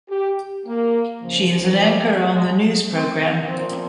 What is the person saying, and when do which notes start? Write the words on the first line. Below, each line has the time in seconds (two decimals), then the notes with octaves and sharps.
She is an anchor on the news programme.
0.10 G4
0.66 A#3
1.23 D#2 C#3 F3
1.79 G3
2.34 G#3
2.91 C4
3.47 A#2 F3 C4